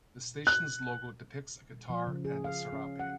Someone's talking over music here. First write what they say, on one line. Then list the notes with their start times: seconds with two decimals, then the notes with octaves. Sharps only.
The station's logo depicts a guitar and a "sarape".
0.47 F#6
1.90 F3
2.07 C#3
2.25 G#4
2.44 F5
2.73 C#4
3.00 F#5